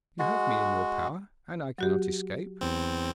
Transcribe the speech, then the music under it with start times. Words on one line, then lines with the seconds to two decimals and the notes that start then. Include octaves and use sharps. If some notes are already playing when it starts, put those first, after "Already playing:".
'You have me in your power, and I cannot escape.
0.19 G#3 F#4
1.78 F#3 F#4 G4
2.61 E2 C4